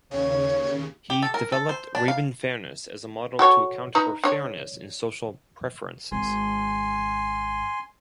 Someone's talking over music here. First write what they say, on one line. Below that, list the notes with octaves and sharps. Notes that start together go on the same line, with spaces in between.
He developed Rabin fairness as a model to account for fairness in social preferences.
D#2 C#3 C#5
G4
A4
A#4
A4
C5
D4
F5
F#4 A4 C#5
D#4 B4 A#5
D4 C#5
G#1 G#5 C6